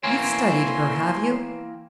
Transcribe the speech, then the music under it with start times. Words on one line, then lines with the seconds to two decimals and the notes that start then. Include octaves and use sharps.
You've studied her, have you?
0.03 E3 A#3 C4 C#5 G#5 C6